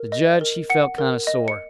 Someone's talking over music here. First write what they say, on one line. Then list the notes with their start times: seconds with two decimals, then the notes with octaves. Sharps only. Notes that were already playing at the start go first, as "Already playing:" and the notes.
The judge he felt kind of sore.
Already playing: A#4
0.12 D#5
0.41 A#4
0.70 F#5 C#7
0.98 A#4
1.27 D#5
1.48 C#7